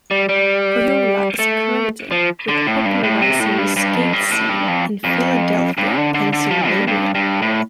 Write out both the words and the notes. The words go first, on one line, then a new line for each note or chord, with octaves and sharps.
Oyola is credited with popularizing the skate scene in Philadelphia, Pennsylvania.
G3
G3
A3
F3
D3
A2
G2
A2
C3
A2
G2
G2
F2
G2
A2
G2
F2
F2
G2
D3
D3
D3
F3
G2
G2
G2
A2